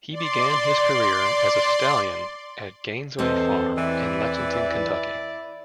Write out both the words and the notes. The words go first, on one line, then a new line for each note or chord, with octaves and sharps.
He began his career as a stallion at Gainesway Farm in Lexington, Kentucky.
D5 C6
E2 C4 A4 C5 D#5
E3 E4 D5